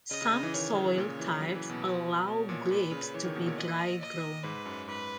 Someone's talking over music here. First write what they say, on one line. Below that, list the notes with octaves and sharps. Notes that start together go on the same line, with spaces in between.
Some soil types allow grapes to be dry-grown.
C#3 D#5
C#3
C#3
E3
D#3 C#5
C#3
A#2 C#5
C#3
E3
E3
F#3 B4
E3
B2
B2
B2 C#5
A#2
A#2 B4
C#3
C#3
E3 C#5
D#3
B2
A#2
D#5
D#5
G#2 B4
F#2
G#2 B4